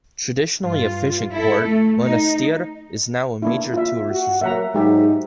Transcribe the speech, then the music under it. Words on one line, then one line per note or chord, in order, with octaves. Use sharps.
Traditionally a fishing port, Monastir is now a major tourist resort.
G2 F4
E4 A4
A3
D#4
A#3 D4 E4
F4 E5
F#4
F#3 A#3 E5 F#5 A#5
G#2 F#3 G#3 D#4 G4 E5